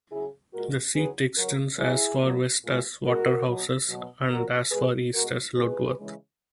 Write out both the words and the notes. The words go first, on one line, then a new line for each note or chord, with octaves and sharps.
The seat extends as far west as Waterhouses and as far east as Ludworth.
C#3 F#3 E4 G#4
A#2 G#3 F#4 A#4
C#3 F#3 G#4 B4
C#3 F#3 F#4 A#4
C#3 F#3 E4 G#4
A#2 F#3
A#2 G#3
B2 G#3 F#4 A#4
B2 F#3
B2 F#3
A#2 F#3 F#4 A#4
B2 G#3 G#4 B4
B2 G#3 F#4 A#4
B2 G#3 G#4 B4
C#3 E3 G#3